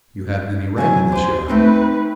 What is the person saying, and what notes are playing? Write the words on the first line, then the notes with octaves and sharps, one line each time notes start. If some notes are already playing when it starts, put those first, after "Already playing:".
"You haven't any right in this yard."
C3 F#3 G#5
G4 C5 G#5
A3 C4 D#4 B4